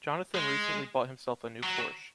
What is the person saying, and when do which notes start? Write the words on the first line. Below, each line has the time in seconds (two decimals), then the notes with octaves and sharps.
Jonathan recently bought himself a new Porsche.
0.35 G#3
1.63 F#3